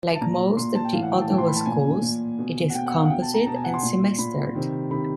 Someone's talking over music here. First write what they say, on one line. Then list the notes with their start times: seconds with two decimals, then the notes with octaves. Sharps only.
Like most of the Ottawa schools, it is composite and semestered.
0.15 A5
0.21 A#2 A#5
0.57 A#2 C6
0.75 A5
0.85 G5
0.93 A2 E3 F5
1.03 F#5
1.12 G5
1.21 A5
1.30 A2 E3 G5
1.38 C6
1.47 B5
1.57 A5
1.66 A#2 G#5
2.02 A#2
2.38 B2
2.70 F#5
2.74 B2 G5
2.87 F#5
2.98 F5
3.05 F#5
3.10 B2 G5
3.22 A5
3.34 A#5
3.46 B2 A5
3.56 G#5
3.64 F#5
3.74 C6
3.83 A#2
4.18 A#2 B5
4.55 C3 D#3
4.91 C3 D#3 B5